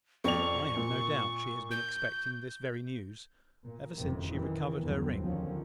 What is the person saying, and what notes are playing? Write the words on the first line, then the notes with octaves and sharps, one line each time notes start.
I have no doubt she has been expecting this very news ever since she recovered her ring.
F2 D5 C#6 F7
A#2
G6
A#2
F#1 F2 A2 C3 D#3
A#2 D#3 E3
G1 E2 C3 F#3 C4
D2 D3 D#3 F3 C#4